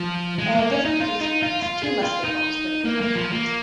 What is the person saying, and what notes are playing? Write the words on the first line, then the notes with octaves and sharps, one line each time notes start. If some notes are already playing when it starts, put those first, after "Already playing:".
In addition to these wounds, two musket balls went through my hat.
Already playing: F3
G#3
A#3
C#4
D#4
F4
D#4
F4
F4
G#4
F4
D#4
A#3
A#3
F3
A#3